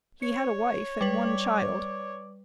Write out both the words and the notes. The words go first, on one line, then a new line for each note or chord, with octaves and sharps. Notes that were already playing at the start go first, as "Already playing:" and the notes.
He had a wife and one child.
C#5 C#7
G3 B4 D5